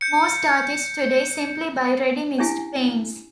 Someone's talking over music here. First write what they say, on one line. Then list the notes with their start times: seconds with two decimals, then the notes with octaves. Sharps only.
Most artists today simply buy ready-mixed paints.
0.01 G6 C#7
2.38 C#4 D4 E4 G4 E5 G#5